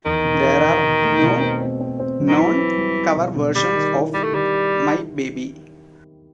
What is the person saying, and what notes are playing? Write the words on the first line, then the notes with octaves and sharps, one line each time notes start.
There are no known cover versions of "My Baby".
E2 D#3
B2
D#4
B2
B2
A3
B2
C4
C4
C4
C4
F#3
D#3
E3 E4
C4
G3
C4
B2
B2
D#3 G3
D#3
E4
G3 G4
A3
D#3 G3